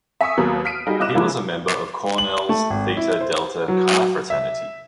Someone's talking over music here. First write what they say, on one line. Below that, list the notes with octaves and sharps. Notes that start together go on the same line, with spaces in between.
He was a member of Cornell's Theta Delta Chi fraternity.
E5 G#5 C#6 D#6 E6
D#2 F#3 A#3 B3
F6 B6 C7 D7 D#7
G3 D#4 F#4 G#4
G1 E4 D#5 D6 F#6 E7
C#3 F3 G#3 A#3 C#4 E4
F#7
A3
G#1
E4
C5
F#3
E5